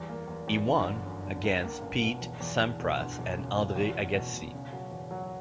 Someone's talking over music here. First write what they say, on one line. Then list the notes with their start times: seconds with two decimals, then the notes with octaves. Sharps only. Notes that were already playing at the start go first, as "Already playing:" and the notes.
He won against Pete Sampras and Andre Agassi.
Already playing: E2 G3
0.09 A#3
0.28 E2
0.48 E2
0.67 D3
0.87 G1
1.06 F#2
1.25 D3
1.44 C#2
1.63 A#3
1.82 C#2
2.02 B2
2.21 E2
2.41 E2
2.60 E2
2.80 B2
2.99 D2
3.18 E1
3.37 C#3
3.57 C#3
3.76 E2
3.95 F#3
4.15 B2
4.33 B2
4.54 C#3
4.73 F#3
4.91 E2
5.11 F#3